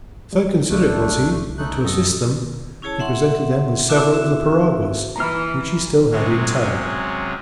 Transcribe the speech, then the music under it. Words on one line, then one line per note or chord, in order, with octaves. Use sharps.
So considerate was he that to assist them he presented them with several of the piraguas which he still had in tow.
G3
C2 A3 D4
A3 D#4 F#6
F#2 A4 D#5
C#4 E4 G#4 C#5 A5
E5 F#5 C6
E4 F#4 E5 A5 D6
C4 E4 F#4 E5
E3 A#5 F6
C3 F#3 G#3 C#4